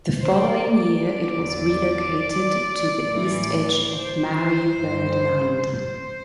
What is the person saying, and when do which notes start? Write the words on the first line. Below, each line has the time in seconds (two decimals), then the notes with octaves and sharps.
The following year it was relocated to the east edge of Marie Byrd Land.
0.19 C5
0.48 D5
1.33 E2 D3 F#3
3.03 A2 E3
3.87 C5
4.72 G2 E3
5.58 C5